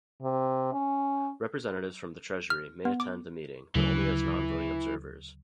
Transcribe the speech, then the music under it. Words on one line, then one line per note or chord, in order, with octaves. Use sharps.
Representatives from the Treasury may attend the meeting, but only as non-voting observers.
C3
C#4
F6
B3
D6
D2 C#3 E3 F#3